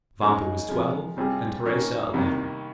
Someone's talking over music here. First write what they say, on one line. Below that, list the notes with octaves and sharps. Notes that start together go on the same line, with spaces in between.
Vampa was twelve, and Teresa eleven.
C#3 G#3 D#4 G#4
C3 F3 G#3
C3 G3 C4 F4 G#4
D#3 A#3 C#4
C2 C3 D#3 A#3